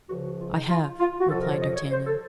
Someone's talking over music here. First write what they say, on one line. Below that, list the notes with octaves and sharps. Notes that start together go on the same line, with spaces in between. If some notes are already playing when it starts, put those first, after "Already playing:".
"I have," replied D'Artagnan.
C#2 C#3 F3 F#4
F#4
F4
D#4
F4
F4
F#4
F2 C3 F3 A4
A#4
C#5
D#5
C#5
C5
A4